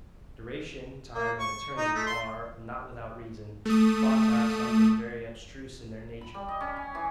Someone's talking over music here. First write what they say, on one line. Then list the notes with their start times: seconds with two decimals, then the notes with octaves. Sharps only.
Duration, time, and eternity, are, not without reason, thought to have something very abstruse in their nature.
1.15 A#3
1.40 C#6
1.77 D#4
1.95 A3
2.07 C6
3.65 A3 D#6
6.21 B5
6.34 G3
6.48 D#5
6.61 C#4
6.77 G#5
6.95 E3